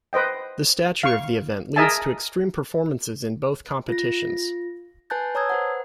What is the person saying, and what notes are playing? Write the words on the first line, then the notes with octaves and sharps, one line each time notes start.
The stature of the event leads to extreme performances in both competitions.
B4 C5 D#5 G5
F5 C#6
G#4 A#4 D#5 E5 G#5 A5
F4 A#6
B4 G#5 A5 F#6 G6 A6
C#5 A5 A#5 D#6 E6 G#6
B4 C5 F#5